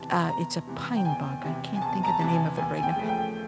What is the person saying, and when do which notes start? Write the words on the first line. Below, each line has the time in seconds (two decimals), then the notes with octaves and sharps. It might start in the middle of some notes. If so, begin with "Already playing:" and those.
Uh, it's a pine bug. I can't think of the name of it right now.
Already playing: E2 C3 E3 A5
0.29 E2 A#5
0.67 C3 E3
0.96 G5
1.05 E2 G#5
1.43 C3 E3
1.76 G#5
1.82 E2 A5
2.03 A#5
2.06 A5
2.20 C3 E3 A5
2.33 G#5
2.57 D#2 G#5
2.77 G#5
2.83 G5
2.96 C#3 F3 A3
3.09 G5